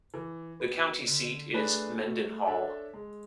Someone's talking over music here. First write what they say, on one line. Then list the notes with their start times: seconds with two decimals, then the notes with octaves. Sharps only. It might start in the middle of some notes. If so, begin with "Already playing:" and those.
The county seat is Mendenhall.
0.14 E3
0.60 B3
0.65 F#4
1.07 D3
1.54 A3 D4 G#4 B4
2.00 A3
2.47 D4 A4 C#5 E5
2.94 G#3